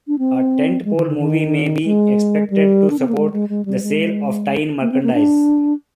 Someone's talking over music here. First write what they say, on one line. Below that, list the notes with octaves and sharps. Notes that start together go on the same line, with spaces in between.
A tent-pole movie may be expected to support the sale of tie-in merchandise.
D4
C4
G#3
D#3
D3
D#3
G#3
G3
D4
C4
A#3
G#3
G#3
G#3
G3
G#3
A#3
C4
A#3
D4